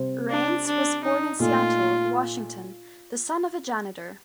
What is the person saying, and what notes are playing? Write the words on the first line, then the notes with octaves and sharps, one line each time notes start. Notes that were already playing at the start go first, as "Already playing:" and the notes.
Raines was born in Seattle, Washington, the son of a janitor.
Already playing: C3 G3 C4
D4
D4
D#4
A#2 A3 D#4 F4